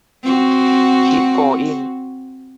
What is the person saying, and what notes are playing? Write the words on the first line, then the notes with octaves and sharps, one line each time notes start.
Keep going!
C4 F#4